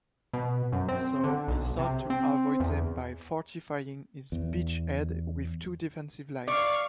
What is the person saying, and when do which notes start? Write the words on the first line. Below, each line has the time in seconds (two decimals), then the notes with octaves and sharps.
So, he sought to avoid them by fortifying his beachhead with two defensive lines.
0.33 B2
0.72 F#2
0.88 C4
1.24 D3
1.48 B1
1.79 C3
2.10 C4
2.60 E2
4.32 E2
6.48 D5 F5 C#6